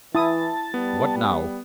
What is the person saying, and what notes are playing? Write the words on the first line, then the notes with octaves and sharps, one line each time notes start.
"What now?"
E3 E4 A5 D#6
G3 B3